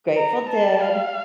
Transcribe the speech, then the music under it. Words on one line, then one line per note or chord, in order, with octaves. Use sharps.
Grateful Dead.
A#5
A5
F5